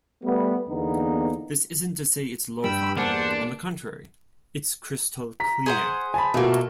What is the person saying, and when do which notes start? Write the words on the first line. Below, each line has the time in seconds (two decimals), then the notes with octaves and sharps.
This isn't to say it's lo-fi; on the contrary, it's crystal clear.
0.24 G3 A3 B3
0.69 E2 D3 A#3 B3 D#4
2.64 G2 G3 G5 B5 E6
2.98 E2 G2 A#3 D4 G#4 C5 F#5 A5
5.40 A#5 B6
5.66 G#4 C5 F#5
6.14 G#5 A5 B5
6.34 B2 A3 A#3 F4 F#4